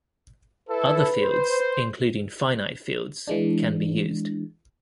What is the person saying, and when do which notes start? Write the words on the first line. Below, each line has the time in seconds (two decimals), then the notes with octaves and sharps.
Other fields, including finite fields, can be used.
0.69 E4 A4 B4
1.23 C5
3.27 E3 G#3 D4